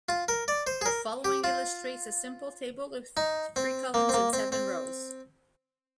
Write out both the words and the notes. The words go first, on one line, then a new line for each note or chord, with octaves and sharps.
The following illustrates a simple table with three columns and seven rows.
F4
A#4
D5
C5
G#4
A#4
G4
F4
D#4
C4
A#3
C4
A#3
C4
C4